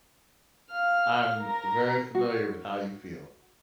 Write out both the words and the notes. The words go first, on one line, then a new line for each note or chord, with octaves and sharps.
I'm very familiar with how you feel.
F5 F6
A#4 A#5
F#4